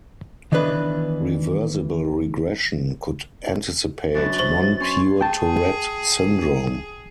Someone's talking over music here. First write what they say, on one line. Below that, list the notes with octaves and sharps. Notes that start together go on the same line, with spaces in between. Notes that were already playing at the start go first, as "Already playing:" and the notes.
"Reversible" regression could anticipate non-pure Tourette syndrome.
D#3 E3 B3 D4 B4
F#2 D4 B4 A6
C5 C#6 G7
C#4 C6
G#4 G5 A5